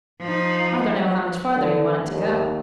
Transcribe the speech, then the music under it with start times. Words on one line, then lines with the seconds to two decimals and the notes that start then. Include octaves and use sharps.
I don't know how much farther you want it to go.'
0.20 F3 D#4
1.56 D3
2.06 D#2